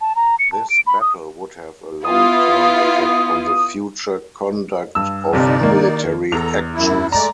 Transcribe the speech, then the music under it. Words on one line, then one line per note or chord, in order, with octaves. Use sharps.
This battle would have a long-term effect on the future conduct of military actions.
A5
A#5
C#7
A5
D7
B5
D#6
B3 E4 F4 D#6
G2 E6
G1 C3 D#4 D5
D#3 A#3
E2 A4 A#5 F7
F#2 E4
G#3 A3 D5 A#5